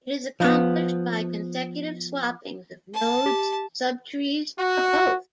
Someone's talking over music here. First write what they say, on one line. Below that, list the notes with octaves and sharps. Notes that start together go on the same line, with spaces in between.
It is accomplished by consecutive swappings of nodes, subtrees, or both.
F3 B3
A5
G4
F#4